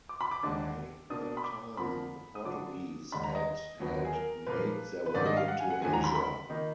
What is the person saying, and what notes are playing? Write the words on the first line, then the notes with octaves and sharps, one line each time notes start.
By that time, the Portuguese had had made their way into Asia.
D6
B5
D6
D#2 D3 G#3 D4 D6
B2 A#3 D4 D#6
B5
D6
F2 D3 F3 A#3 D4 B5
D#6
D3 F#3 D4 D6
D#2 D3 G#3 D4 B5
A#5
D#5
D#2 D3 F#3 B3
G#4
A#4
A#2 F3 A#3 B4
B4
G#2 D#3 A#3 D4 D5
D#5
F5
F#5
G#5
F#5
D#2 D3 F3 G#5
A#5
B5
B5
D#3 A#3 D#4